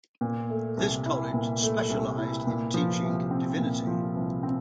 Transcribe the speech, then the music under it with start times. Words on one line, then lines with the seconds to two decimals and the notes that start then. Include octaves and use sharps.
This college specialised in teaching Divinity.
0.21 A#2
0.50 A3
0.77 C2
1.06 E4
1.34 A#2
1.63 A3
1.90 C2
2.18 E4
2.47 A#2
2.74 F3
3.03 C2
3.31 C4
3.59 A#2
3.87 F3
4.15 C2
4.43 C4